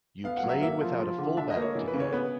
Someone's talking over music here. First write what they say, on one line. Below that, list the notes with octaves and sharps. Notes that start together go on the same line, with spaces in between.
You played without a full-back today.
B3 F5
F#5
F#3
E5
A#3 E5
F3
F3
D3
D4 E5
D#5
A#3
C#5
E3
B4
C#3
C#5
B3 B4